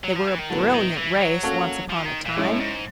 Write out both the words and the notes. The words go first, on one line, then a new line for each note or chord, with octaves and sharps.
They were a brilliant race once upon a time.
F#3
F3
E3
D#3
A2 D3 F#3 B3
D#3
E3
F#3
A#3 C#4 F#4 A4 C#5
F3
D#3
A#2
A2 G#3 C#4 E4
G#2